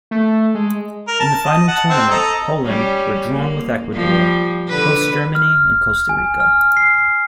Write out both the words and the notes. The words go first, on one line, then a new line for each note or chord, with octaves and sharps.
In the final tournament, Poland were drawn with Ecuador, hosts Germany and Costa Rica.
A3
G#3
A#4
A5
D#5
F#5 A5
C4
A4 D#5 A#5
G3 C#4
A#3
F3 G3
D3 B4
F6
G#5
F6
C7